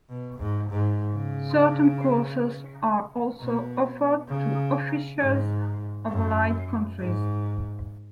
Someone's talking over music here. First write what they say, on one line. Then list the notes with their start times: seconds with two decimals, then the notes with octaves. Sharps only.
Certain courses are also offered to officers of allied countries.
0.09 B2
0.39 G#2
0.70 G#2
1.14 C#3
3.40 B2
4.29 C#3
5.18 G#2
6.09 F#2
6.98 G#2